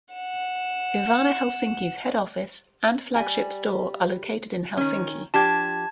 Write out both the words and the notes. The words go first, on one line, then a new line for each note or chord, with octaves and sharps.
Ivana Helsinki's head office and flagship store are located in Helsinki.
F#5 E7
G3 G#5
D#3 C#4
F3 D4 G4 A5 G#6